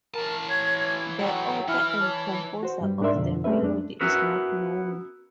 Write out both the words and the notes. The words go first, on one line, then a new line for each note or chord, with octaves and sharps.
The author and composer of the melody is not known.
E3 A#4 A5
C#5 G#6
A2 E3 F#3 G5
E3 E4 F6
C#5 A5
F#4 C5
G2 G3
G#2 D4 A#4 D5 E5 C6
F2 B2 D3
G#3 A3 C4 C#4 B4 E5
F#2 D4
B3 C#4 E4 F#4 A#4 B4